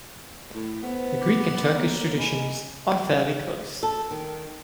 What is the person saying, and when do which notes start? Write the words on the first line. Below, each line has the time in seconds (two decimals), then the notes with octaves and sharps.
The Greek and Turkish traditions are fairly close.
0.55 A2
0.82 B3 B4 C5
1.21 D6
1.75 A#3 B3 A4 C#5
2.18 D#5 G#5 B5
3.83 A4
4.11 D#3